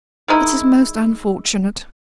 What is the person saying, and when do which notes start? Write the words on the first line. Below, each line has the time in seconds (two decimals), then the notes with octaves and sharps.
'It is most unfortunate!
0.28 D#3 G#3 D#4 E4